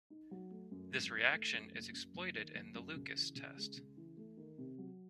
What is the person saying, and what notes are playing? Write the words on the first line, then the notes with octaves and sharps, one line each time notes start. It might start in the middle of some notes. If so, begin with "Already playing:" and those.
This reaction is exploited in the Lucas test.
D#4
F#3
A3
F#2
G#1
D#3
A3
F#2
F#1
F#2
F#1
D#3
F#1
F#2
C#3
E3
C#3
G#3
C#3
E3
A3
D#3
C3
F#3